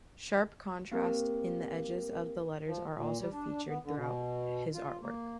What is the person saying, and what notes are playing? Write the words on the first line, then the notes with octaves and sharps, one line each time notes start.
Sharp contrast in the edges of the letters are also featured throughout his artwork.
A#3 C4 G4 A#4
F3
A#2
G3
D4
B3
D3
B2
F4
A#3